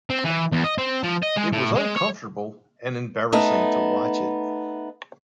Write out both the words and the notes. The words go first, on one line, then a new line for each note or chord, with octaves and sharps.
It was uncomfortable and embarrassing to watch it.
C4
E3
E2
D#5
C4
F3
D#5
G#3
A2
G#3
C#5
A3 B3 D#4